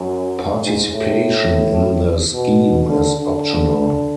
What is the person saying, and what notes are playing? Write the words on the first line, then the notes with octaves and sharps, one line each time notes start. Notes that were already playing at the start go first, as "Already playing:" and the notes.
Participation in the scheme is optional.
Already playing: F#2
G#2
A2
B2
D3
D3